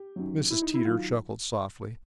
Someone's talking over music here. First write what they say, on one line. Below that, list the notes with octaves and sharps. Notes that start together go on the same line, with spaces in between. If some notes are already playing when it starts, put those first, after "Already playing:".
Mrs. Teeter chuckled softly.
Already playing: G4
F#2 D#3 F#3
E4
D#4
E4
D#3 F#3 F4